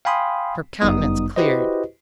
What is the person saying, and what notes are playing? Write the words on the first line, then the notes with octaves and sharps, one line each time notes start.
Her countenance cleared.
F5 G5 G#5 B5 C6 D#6
G1 F#2 G3 B3 D#4 D#6
E4 F#4 G4 B4 C5 D#5